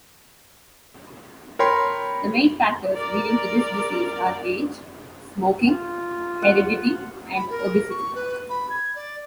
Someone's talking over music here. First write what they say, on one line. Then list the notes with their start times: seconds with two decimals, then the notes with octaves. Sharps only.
The main factors leading to this disease are age, smoking, heredity, and obesity.
1.59 A#4 C#5 G5 B5 C6
2.95 A#4 D5
5.67 F4
6.42 F#5
7.34 B5
7.49 A#4
7.89 C#6
8.14 B4
8.49 B5
8.69 G#6
8.95 D5